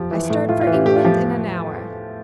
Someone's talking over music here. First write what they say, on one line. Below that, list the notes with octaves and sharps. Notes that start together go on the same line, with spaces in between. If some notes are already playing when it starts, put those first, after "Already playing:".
"I start for England in an hour."
Already playing: F3 G4
E3
A2
A2 F4
F4
E3
G4
A2 G4
F4
F3 G4